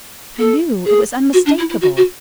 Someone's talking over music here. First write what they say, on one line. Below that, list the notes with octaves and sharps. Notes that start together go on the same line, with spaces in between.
I knew; it was unmistakable.
A4
G#4
F#4
D4
E4
E4
F#4
F#4